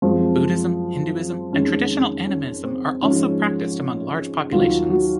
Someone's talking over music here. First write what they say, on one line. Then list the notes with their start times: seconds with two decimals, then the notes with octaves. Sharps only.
Buddhism, Hinduism, and traditional Animism are also practiced among large populations.
0.02 F#2 F3 G#3 C4
1.52 F2 D#3 G#3 C#4
2.27 C#4
2.64 C4
3.02 G#2 F3 G#3 C#4
4.52 D#2 D#3 F#3 F4
4.90 F#4